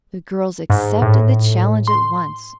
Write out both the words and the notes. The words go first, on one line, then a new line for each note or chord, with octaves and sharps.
The girls accepted the challenge at once.
G#2
A2
C6